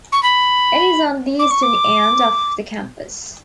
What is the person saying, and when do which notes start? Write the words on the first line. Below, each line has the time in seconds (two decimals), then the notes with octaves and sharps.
It is on the eastern end of the campus.
0.12 C#6
0.22 B5
1.39 D6
1.50 C#6
1.62 D6